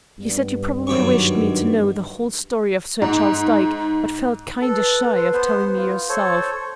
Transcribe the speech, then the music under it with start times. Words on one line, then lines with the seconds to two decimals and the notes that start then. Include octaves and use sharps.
He said you probably wished me to know the whole story of Sir Charles Dyke, but felt kinder shy of telling me yourself.
0.19 G2 G3 B3
0.87 F#2 D#3 F#3 B3 G4 C#6
3.02 G#2
4.61 A4 B4
5.16 A4 C6
5.33 B3 C5
5.77 F4
6.09 A4 C5 C#5